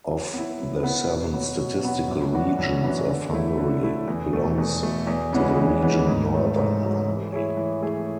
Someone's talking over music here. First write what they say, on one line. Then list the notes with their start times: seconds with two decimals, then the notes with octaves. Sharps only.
Of the seven statistical regions of Hungary it belongs to the region Northern Hungary.
0.08 F#3
0.34 B3 E4
0.59 F#3
0.84 B3 E4
1.08 B2
1.33 F#3 B3 F#4
1.58 B2
1.83 F#3 B3 F#4
2.08 F#2
2.33 E3 B3 D4 F#4
2.58 F#2
2.83 E3 B3 D4 F#4
3.08 D3
3.33 A3 E4
3.58 D3
3.83 A3 E4
4.07 E2
4.33 B2 A3
4.58 E2
4.82 B2 A3
5.07 E2
5.33 C#3 E3 G#3 B3
5.58 E2
5.82 C#3 E3 G#3 B3
6.08 G#2
6.33 F#3 A3
6.57 G#2
6.83 F#3 A3
7.07 E3
7.32 A3 E4 G#4 C#5
7.57 E3
7.82 A3 E4 G#4 C#5